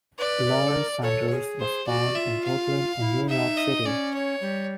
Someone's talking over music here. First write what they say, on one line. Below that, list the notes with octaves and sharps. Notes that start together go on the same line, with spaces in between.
Lawrence Sanders was born in Brooklyn in New York City.
B4 D5
B4
A#4
A4
A#4
A4 C#5
G#4
C5
F#4 D5
F4 E5
F5
E4
D#4 E5
D#5
C#4 D5
C#5
G3